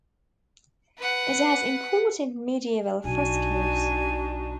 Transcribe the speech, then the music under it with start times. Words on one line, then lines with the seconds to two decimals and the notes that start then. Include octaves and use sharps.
It has important medieval frescoes.
0.98 B4 F#5
3.04 B1 B2 D4 D#4 F#4 G#5